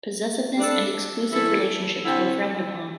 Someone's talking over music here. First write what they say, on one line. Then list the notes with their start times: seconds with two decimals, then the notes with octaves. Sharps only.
Possessiveness and exclusive relationships were frowned upon.
0.58 G3 D4 A4
1.32 E3 A3 E4 A4
2.05 D3 C4 E4 A4